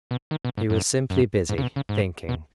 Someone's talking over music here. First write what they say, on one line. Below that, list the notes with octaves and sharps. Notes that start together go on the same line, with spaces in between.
He was simply busy--thinking.
B2
D#3
B2
G#2
F#2
F#2
G#2
C#3
B2
C#3
G#2
B2